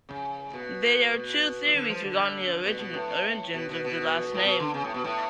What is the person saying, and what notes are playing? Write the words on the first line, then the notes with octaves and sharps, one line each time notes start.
There are two theories regarding the origins of this last name.
C#3
B2
B2
D3
F3
D3
B2
B2
A2
B2
B2
B2
A2
B2
D3
C#3
A2
B2
A2